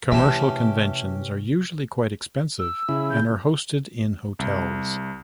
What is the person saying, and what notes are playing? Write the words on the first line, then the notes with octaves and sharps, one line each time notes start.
Commercial conventions are usually quite expensive and are hosted in hotels.
C3 E3 A3 C#4 G4 E5 A5
E6
C#3 E4
G6
C2